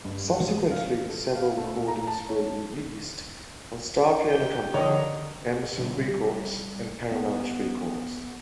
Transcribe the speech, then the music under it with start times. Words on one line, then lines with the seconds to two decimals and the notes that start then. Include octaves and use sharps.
Subsequently, several recordings were leased from Star Piano Company, Emerson Records, and Paramount Records.
0.05 G2
0.28 F#4
0.49 G#3
0.71 F5
0.86 G4
1.10 A4
1.35 F5
1.57 A3
1.88 A#5
2.07 A5
2.29 C#5
4.28 G4 G5
4.74 D3 D#3 C#5 D#5
5.78 B2 D3 F#3 G3
6.12 G3
7.11 B3